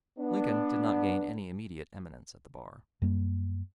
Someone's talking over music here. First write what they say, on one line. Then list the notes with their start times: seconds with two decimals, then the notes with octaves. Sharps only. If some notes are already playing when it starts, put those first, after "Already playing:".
Lincoln did not gain any immediate eminence at the bar.
0.19 B3 D4
3.02 F#2 G3 A#3